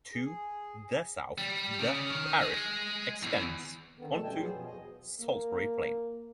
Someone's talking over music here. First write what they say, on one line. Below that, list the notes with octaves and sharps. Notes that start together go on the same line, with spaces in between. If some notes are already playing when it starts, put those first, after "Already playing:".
To the south the parish extends onto Salisbury Plain.
G#4
G3
C#3
D#3
G#3
E2
D3 D#3 B3
A#2 G#3 A3 A4 A5
F#2 B2 G3 G5 G#5
F#3 B3 G#4 C5
B2 F3
E2 D#5
A#3